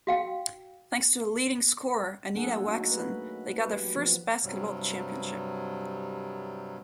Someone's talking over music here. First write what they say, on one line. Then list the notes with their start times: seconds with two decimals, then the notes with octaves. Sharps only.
Thanks to the leading scorer, Anita Waxen, they got their first basketball championship.
0.07 F#4 F5 G5
2.34 F#3 A#3 D4 G#4 A4 F#5
2.66 A3 C#4 D#4 F#4
2.92 B4
3.56 B4
3.73 F#3 G4
3.97 F3 B3
4.43 G2 C3 F#3 G3